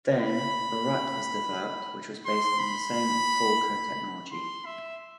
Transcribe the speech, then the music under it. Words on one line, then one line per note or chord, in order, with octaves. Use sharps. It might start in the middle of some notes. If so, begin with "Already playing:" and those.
Then, Burraq was developed which was based on the same Falco technology.
B5
C6
B5
C6
E5